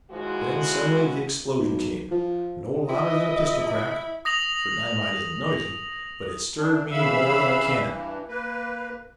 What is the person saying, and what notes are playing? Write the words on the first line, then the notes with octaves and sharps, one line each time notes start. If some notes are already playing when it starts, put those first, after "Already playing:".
Then suddenly the explosion came--no louder than a pistol-crack, for dynamite isn't noisy, but it stirred me more than a cannon.
D#2 F3 G#3 E4 F#4
B1
F3
F3 E4 D#5
D#6 A#6 F7 F#7
E3 D4
C#3 E3 E5 F5 B5 E6
G2 E3
A#3 B4